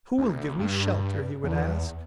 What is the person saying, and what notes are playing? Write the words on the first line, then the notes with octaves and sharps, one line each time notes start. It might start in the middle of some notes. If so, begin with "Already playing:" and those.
"Who will give me shelter?" he would ask.
D2
G2
E2